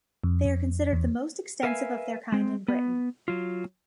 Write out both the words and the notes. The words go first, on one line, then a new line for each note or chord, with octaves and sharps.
They are considered the most extensive of their kind in Britain.
F2
F2
E2
A#4 B4 E5 F5 G5 G#5
G#3 C4
B3
F#3 F4